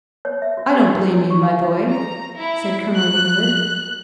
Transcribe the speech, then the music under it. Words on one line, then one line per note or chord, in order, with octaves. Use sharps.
"I don't blame you, my boy," said Colonel Winwood.
C#5
E5
F#4
G4
E4
C#5
C#6
F5
A#5
E4
F#6